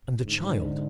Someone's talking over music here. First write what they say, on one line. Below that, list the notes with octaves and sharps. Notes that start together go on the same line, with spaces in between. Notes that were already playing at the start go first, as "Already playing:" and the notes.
And the child?
G#2 D3
D3
D3